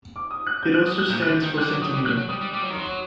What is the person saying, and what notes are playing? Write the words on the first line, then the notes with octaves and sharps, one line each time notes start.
It also stands for centimetre.
D6
D#6
F#6
G6
F#6
D#6
F#6
A#2 G6
D3 F#6
G6
D#3
G6
G3 F#6
F#3 D6
F#3 D#6
G3
F#3 F#6
F#3
G3 D#6
G3
G3 D6
F#3
D#3
F#3 C6